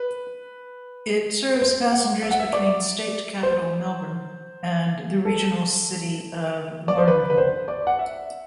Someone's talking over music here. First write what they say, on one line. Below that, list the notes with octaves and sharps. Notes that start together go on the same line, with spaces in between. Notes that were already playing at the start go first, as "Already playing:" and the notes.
It serves passengers between state capital Melbourne and the regional city of Warrnambool.
Already playing: B4
B4
C5
F#5
E5
F#5
E5
D5
C5
A4
D5
C5
B4
B4
C5
D5
F#5
E5